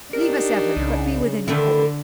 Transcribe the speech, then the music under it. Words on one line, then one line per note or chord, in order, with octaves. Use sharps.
Leave us, Evan, but be within call.'
D4 D#4 G4 A#4
C2 C#3
D3 D#3 A3 E4